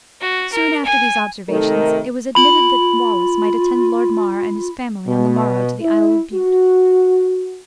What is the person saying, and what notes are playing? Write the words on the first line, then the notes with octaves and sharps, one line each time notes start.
Soon after these observations, it was admitted that Wallace might attend Lord mar and his family on the morrow to the Isle of Bute.
F#4
A#4
G#5
C3 D#3 A3 D#4 A4 A#4
F4 B5 F#7
B2
E4
F#4